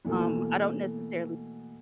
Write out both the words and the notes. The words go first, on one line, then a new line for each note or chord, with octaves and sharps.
um, I don't necessarily
B2 E3 A3 A#3